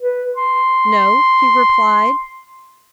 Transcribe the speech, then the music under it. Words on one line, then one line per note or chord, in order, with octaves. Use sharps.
"No," he replied.
B4
C6